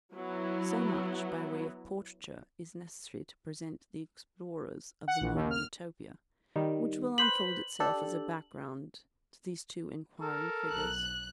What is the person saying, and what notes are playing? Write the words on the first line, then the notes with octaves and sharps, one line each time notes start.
So much by way of portraiture is necessary to present the explorers of the Modern Utopia, which will unfold itself as a background to these two enquiring figures.
F#3 B3 E4
F#5
A#1
D#2
F6
D#3 G3
B4 C5 B6 F#7
D4 G4 A4
A4 A#4
B1 F#6